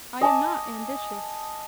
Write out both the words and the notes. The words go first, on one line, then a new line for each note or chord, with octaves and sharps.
"I am not ambitious."
D#5 G#5 A5 D6